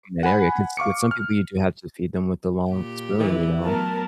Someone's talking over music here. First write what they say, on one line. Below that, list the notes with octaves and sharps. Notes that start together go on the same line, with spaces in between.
from that area 'cause with some people, you do have to feed them with a long spoon, you know?
F#5 G#5 B5 F#6
F5 C#6 D6 C#7
F6
A#2 G4
E3
F#3 A3 B3 A#4 A5